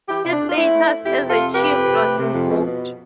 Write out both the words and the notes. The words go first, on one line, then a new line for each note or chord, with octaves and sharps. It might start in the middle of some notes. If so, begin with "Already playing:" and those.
His status as a chief was revoked.
E3 E4 G4
C3 E4
D4
F2
F4
A3 C4 E4
A3
A3
F2 E4 G4
C3
F4 A4
F2
C3 G4 B4
F2
C3
A3
C3
F2
B2
B2